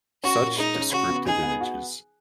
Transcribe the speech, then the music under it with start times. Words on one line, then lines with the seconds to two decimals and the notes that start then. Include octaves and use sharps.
Such descriptive images.
0.23 C#4 F#4
0.40 A#2
0.57 G#3 D#4
0.75 C#4
0.92 C#3 F#4
1.09 B3
1.26 D#4 G#4
1.43 B3
1.61 F#4